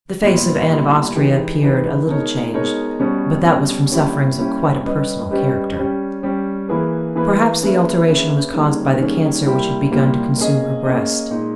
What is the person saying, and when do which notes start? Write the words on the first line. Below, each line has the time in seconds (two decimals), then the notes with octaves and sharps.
The face of Anne of Austria appeared a little changed, but that was from sufferings of quite a personal character. Perhaps the alteration was caused by the cancer which had begun to consume her breast.
0.23 A#2 G3 B3 E4
0.69 A#2 G3 B3 E4
1.15 E3 G#3 D#4 G4 B4
1.62 E3 G#3 D#4 G4 B4
2.07 B2 G#3 D#4 A#4 C#5
2.54 B2 G#3 D#4 A#4 C#5
3.00 B2 G3 C#4
3.46 B2 G3 C#4
3.92 G3 A#3 C#4 E4 G4
4.38 G3 A#3 C#4 E4 G4
4.84 G3 C#4 G4 B4 D#5
5.31 G3 C#4 G4 B4 D#5
5.77 G3 C#4 G4
6.23 G3 C#4 G4
6.68 E3 A#3 E4 G#4 B4
7.15 E3 A#3 E4 G#4 B4
7.61 A#3 C#4 G#4 B4 E5
8.07 A#3 C#4 G#4 B4 E5
8.54 D#3 G3 A#3 C#4 G#4
9.00 D#3 G3 A#3 C#4 G#4
9.45 A#2 G3 A#3 E4 G4
9.92 A#2 G3 A#3 E4 G4
10.38 A#3 C#4 G#4 D#5
10.84 A#3 C#4 G#4 D#5
11.31 A#2 G#3 D#4